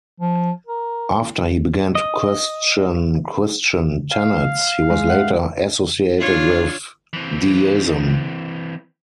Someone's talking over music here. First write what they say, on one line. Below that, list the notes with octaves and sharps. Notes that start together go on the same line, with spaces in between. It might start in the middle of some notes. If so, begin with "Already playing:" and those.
After he began to question Christian tenets he was later associated with Deism.
F3
A#4
D#5
F5
G#3
E5 F#5
D4 F4 C#5
E3 C4